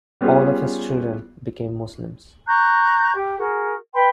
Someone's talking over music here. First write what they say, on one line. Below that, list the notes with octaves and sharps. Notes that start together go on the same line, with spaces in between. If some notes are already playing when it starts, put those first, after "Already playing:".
All of his children became Muslims.
G3 B3 C#4 F4 G#4
A#5 C#6 F#6 G6
G4
F#4 G#4 A#4
B4 G5 B5 C6